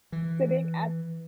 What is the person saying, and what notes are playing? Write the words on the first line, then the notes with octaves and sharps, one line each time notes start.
sitting at
E3